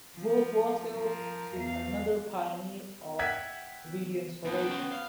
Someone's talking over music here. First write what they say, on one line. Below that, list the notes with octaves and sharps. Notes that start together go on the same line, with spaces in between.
Wolf Vostell is another pioneer of video installation.
F3
F3 A#4
E2 F5
E5 F#5 G5 F#6 G#6 B6
D#2 B3
C#4 G5
F5